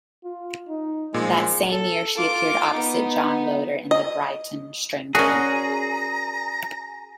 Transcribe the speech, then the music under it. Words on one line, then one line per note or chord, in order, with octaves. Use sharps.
That same year she appeared opposite John Loder in The Brighton Strangler.
F4
D#4
A#2 F3 G#3
A4
F4 D6
B3 D#4
D#5
C#4 F#4 G#4 A#4 D5 A5 A#5